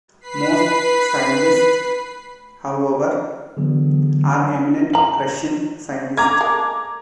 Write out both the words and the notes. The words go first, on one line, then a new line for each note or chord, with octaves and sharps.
Most scientists, however, are eminent Russian scientists.
B4 B5 B6 C7
D3 E3 F#3 B3 G#4
C#3 A#5 F#7
A#5 D6 G#6
G#3 A#3 A4